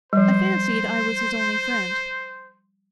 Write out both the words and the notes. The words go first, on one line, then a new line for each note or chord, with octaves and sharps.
I fancied I was his only friend.
F3 G3 C5